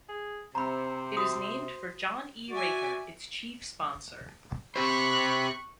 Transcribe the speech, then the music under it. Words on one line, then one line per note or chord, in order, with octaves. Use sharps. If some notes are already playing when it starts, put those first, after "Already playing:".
It is named for John E. Raker, its chief sponsor.
G#4
C3 C5 A#5 B5
F#4 D#6
F#4 D5 E5 G#5
C4 G4 C5 B5 C#6 F#6